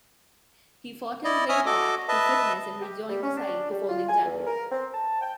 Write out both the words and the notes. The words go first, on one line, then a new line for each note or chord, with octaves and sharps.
He fought his way back to fitness and rejoined the side the following January.
E4 D5 D#5
C#5 E5 G#5 D#6 F6
F#4 A4 D#5 D6
B4 D#5 E5 A5
G4
G3
C#4
D4
G3
F4
G#5
E2
A#4
C4
A5
G5